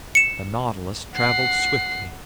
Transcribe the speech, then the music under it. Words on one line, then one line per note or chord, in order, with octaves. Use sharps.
The Nautilus traveled swiftly.
C#7 E7
F#5 C7